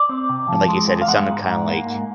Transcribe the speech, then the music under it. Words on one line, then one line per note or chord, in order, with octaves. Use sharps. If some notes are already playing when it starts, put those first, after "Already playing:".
and like you said, it sounded kinda like
Already playing: D5
C4
C3
F3
G#3
E2
F5
G#3 F#5
G#2
G#2
A#3
G#2